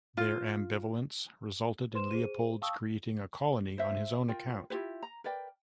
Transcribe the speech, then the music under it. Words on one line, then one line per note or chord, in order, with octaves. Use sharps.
Their ambivalence resulted in Leopold's creating a colony on his own account.
F4
B4 C5 C6 E7
G#4 C5 D#7
F5 G5 A5 C#6 D#6 E6
C5 E5
F4 A#4 G5
E4 F4 G4 B4
A#5
A#4 B4 D5 G5